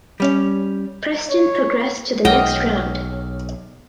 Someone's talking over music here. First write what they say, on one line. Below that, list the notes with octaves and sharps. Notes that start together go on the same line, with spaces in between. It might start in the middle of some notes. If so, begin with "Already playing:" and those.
Preston progressed to the next round.
G3 C#4
C#5
B1 G#4 C#5 D#5 E5 F#5 G5 F6